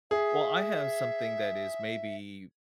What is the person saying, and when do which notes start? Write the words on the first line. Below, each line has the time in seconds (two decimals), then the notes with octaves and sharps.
Well, I have something that is maybe,
0.11 G#4 E5